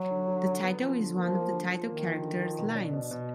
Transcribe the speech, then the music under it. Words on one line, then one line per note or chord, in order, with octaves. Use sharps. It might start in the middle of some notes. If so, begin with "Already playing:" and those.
The title is one of the title character's lines.
Already playing: F#3
D3
D3
D3
B3
F3
D3
F3 A#3
A#3
D3
F3
D#3 A#3
F3
D3
F3
B2
D4
B2
B2